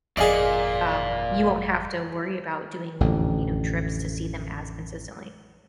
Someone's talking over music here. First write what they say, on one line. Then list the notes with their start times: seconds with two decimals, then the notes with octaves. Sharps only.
uh, you won't have to worry about doing, you know, trips to see them as consistently.
0.17 G1 F2 A#2 G#4 D5 D#5 F5 G#5
3.01 A1 F2 D3